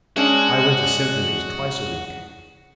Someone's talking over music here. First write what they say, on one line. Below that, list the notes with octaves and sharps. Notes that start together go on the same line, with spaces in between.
I went to symphonies twice a week.
G#3 C#4 D4 F#4